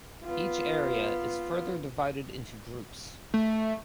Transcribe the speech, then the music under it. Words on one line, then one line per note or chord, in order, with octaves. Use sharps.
Each Area is further divided into groups.
B3 F4
A3